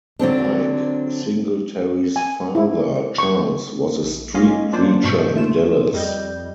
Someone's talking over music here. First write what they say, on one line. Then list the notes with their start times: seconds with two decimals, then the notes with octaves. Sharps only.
Mike Singletary's father, Charles, was a street preacher in Dallas.
0.19 D3 F#3 C4 D4
2.16 G#5
2.55 E4
3.18 C#6
4.02 A#1
4.34 A#3 C#4 F4 D#5 F5
4.73 F#3 A#3 D4 F4 C5 D5
5.04 G2 B2 A5 C#6 G6
5.36 A3 F4 E7
5.93 F2 G3 D#5 G6